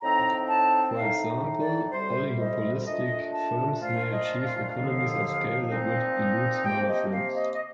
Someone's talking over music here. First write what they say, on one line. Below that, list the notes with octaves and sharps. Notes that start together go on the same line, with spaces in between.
For example, oligopolistic firms may achieve economies of scale that would elude smaller firms.
A2 F3 C4 D#4 A#5
A5
A2 A3 D#4 F5
D5
D2 C3 G3 C5
D#5
A#2 A3 D4 F4 D#5
A5
A#2 F3 A3 D4 F4 F5
D#5
F5
D#2 D3 F3
A#2 F3 C4 D#4
C3 F3 A#3 G5
D#5
F5
D#5
D#5